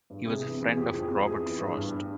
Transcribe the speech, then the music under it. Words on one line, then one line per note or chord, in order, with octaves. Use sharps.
He was a friend of Robert Frost.
G2
C3 G#4
E3
E3
G#4
F2 G4
F2
G#4
F2
E3 G#4
E3
G2
G2